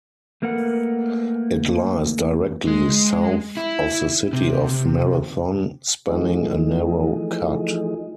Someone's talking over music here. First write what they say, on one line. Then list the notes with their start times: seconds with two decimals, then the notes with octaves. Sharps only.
It lies directly south of the City of Marathon, spanning a narrow cut.
0.42 A3 A#3 A#4 B4 F#5
2.67 G#3
3.57 E4
4.33 C3
6.09 E3 F3 A3 D#4 G#4